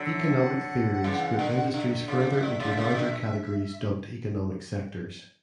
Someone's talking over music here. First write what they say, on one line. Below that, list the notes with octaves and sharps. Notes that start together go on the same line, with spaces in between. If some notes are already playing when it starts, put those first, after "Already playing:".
Economic theories group industries further into larger categories dubbed economic sectors.
Already playing: D3 F#3
E5
F#5
C#3 E3
D3
D3 E5 F#5
C#3
D3
C#3
C#3
D3